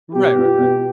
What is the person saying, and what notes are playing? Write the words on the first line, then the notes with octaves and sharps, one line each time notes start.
Right, right, right.
B2 G4
B3 F4
B2